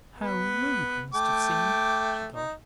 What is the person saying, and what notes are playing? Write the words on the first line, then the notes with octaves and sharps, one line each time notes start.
"How rude we must have seemed!" she thought.
B3 B4
A3 G5 D6
D#4